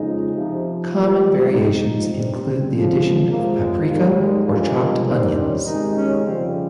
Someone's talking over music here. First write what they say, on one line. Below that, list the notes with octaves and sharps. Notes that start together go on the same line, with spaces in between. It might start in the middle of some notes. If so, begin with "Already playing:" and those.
Common variations include the addition of paprika or chopped onions.
Already playing: F2 C#3 F3 G#3 D#4
F2 C3 F3
A#2 F3 G#3 G4
G#2 F3 G#3 D#4
G2 G3 C4
C4
F2 C#3 F3
G#3
F2 C3 F3 G#3 A#3
G#3
G#2 D#3 G3 A#3
G#3
G2 F3 G#3 A#3
A#3
G2 D#3 G3 C4
C#4
C3 D#3 G#3 D#4
C#4
F2 C#3 G3 C4